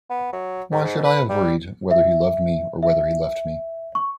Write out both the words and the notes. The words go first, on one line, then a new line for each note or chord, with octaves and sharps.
Why should I have worried whether he loved me or whether he left me?
B3
F#3
G#2
B4
G3
E5
E5
C#6